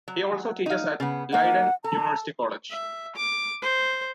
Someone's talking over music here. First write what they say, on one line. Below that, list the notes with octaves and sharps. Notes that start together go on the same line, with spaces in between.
He also teaches at Leiden University College.
F#3
D#4 F5
C#3 B3
A#3 D#4 F#5
A4 A#5
E5
D6
C5